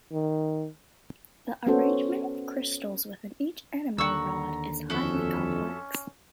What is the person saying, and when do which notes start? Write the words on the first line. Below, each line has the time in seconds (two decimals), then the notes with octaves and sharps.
The arrangement of crystals within each enamel rod is highly complex.
0.12 D#3
1.67 B3 C#4 F#4 A4 C5
3.98 D#2 D3 F#5 A#5 C#6 E6
4.90 F2 C#4 F#4 A4 E5